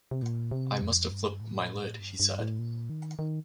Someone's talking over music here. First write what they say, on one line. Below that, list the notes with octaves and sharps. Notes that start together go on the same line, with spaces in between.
"I must have flipped my lid," he said.
C3
A#2
C3
F2
G2
A2
A#2
A2
G2
G2
A2
A#2
D#3
D#3